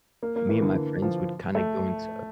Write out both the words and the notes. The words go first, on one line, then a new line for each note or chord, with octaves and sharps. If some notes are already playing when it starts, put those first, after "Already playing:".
me and my friends would kind of go into
A#3
A#3
E3
D3
D3
F3
A3